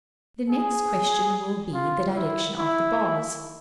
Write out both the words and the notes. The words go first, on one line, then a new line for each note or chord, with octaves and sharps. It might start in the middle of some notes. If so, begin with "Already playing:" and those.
The next question will be the direction of the bars.
G#4
F4
E4
E4